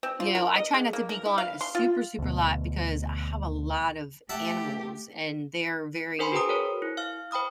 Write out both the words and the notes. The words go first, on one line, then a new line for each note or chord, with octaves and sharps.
you know, I try not to be gone a super, super lot because I have a lot of animals, and they're very
C4
F4
A#4
D#5
G#3
A#3
A#4
E4
F5
C6
F4
D2 B2
A3 G4 E5 F#5 A5
D4 A#4 C5 G#5 B5 C6
F#4 G#4 B4 G5 A#5 D#6
A#4 C5 C#5
E4
F5 F6
C5 G5 B5 D#6 F6